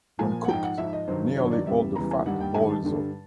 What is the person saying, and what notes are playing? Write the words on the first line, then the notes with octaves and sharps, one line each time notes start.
When cooked, nearly all the fat boils off.
A#2 F3 G#5
F#5
G#2 F3 G5
F#5
G#2 F3 E5
D#5
G2 D#3 F#3 C5
G2 D#3 F#3 C#5
D5
E2 C#3 E3 G3 E5
E2 C#3 E3 G3 A#5
G#5
G2 D#3 G3 F#5
G5
G2 D#3 G3 G#5
A5
G2 D3 G3